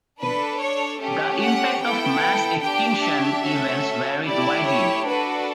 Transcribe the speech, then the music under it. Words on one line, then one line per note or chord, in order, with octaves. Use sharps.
The impact of mass extinction events varied widely.
D4 A4 B4
C#5
A3 C#4 G4
F#5
B3 E4 A4 G5
D4 G4 G5
E5
A3 C#4 F#4 A4
A3 E4 G4 D5
C#5
D4 F#4 A4 B4